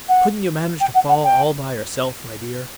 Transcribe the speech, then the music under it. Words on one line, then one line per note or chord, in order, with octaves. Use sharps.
"Couldn't you manage to fall all by yourself, my dear?"
F#5
G5
F#5
F#5
G5